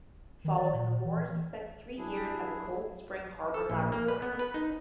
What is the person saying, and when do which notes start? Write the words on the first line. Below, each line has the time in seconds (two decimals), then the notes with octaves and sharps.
Following the war he spent three years at the Cold Spring Harbor Laboratory.
0.44 D#3
0.58 D5
0.73 A#2
1.05 E3
1.98 F#3 D4 E4 G#4
3.54 A4
3.70 A#1
3.92 A#3
4.08 B4
4.22 B3
4.39 B4
4.54 D#4